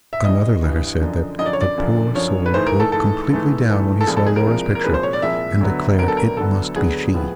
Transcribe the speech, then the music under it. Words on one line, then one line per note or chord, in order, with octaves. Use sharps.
Another letter said that "the poor soul broke completely down when he saw Laura's picture, and declared it must be she."
E5
G2 E3 G3 D#5
G2 E3 G3
F#2 D3 F3
F#2 D3 F3 D#5
D5
C#5
D5
F#2 D3 F3
F#2 D3 F3 C#5
B4
G#2 E3 A3 C5
A#4
A4
G#2 E3 A3 A4
G#2 E3 A3
G#2 E3 A3
A4
C2 A#2 F3 G#3 G#4
A4
G#4
A#4
C2 A#2 F3 G#3
A#4
C2 A#2 F3 G#3 B4
C5
C#5
D5
C2 A#2 F3 G#3 E5
D2 D3 F#3 B3
D2 D3 F#3 B3 A#4
A4
A#4
D2 D3 F#3 B3 A4
D2 D3 F#3 B3 G#4
A2 F3 G#3 B3